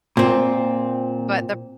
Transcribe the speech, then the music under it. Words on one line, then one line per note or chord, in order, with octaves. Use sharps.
but the
A#2 C4